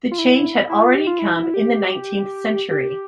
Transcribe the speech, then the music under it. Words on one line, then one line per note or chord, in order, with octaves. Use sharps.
The change had already come in the nineteenth century.
F4
E4
E4
F4
G4
F4
E4
E4
G4
G4